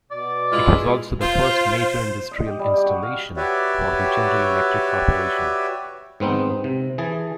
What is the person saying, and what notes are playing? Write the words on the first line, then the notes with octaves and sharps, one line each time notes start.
It was also the first major industrial installation for the General Electric corporation.
B2 D5
G#3 E4 F4
F4 C5
D#5
G4
G3
G4
F#4
F5
F#4 G4 B4 C#5 D5 E5
G#2 B3 C4 D#4
C3
E3 G#4 A5